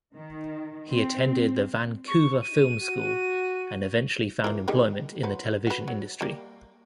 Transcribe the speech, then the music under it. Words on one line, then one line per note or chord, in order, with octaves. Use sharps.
He attended the Vancouver Film School and eventually found employment in the television industry.
D#3
C4
C#6
D#7
F#4
E3 F4 A#4
D#3 G3 G#3
F#3 B4 C5
F#4 B4
F#3
G3 A#3